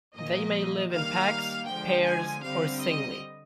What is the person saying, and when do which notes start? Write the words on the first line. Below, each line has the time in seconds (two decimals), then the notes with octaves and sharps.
They may live in packs, pairs, or singly.
0.15 A#2 F3 A#3 D#5
0.92 D#3 G3 A#3 F5
1.67 D3 F3 G#3 G5
2.05 G#5
2.43 D3 G3 C4 F5
2.81 D#5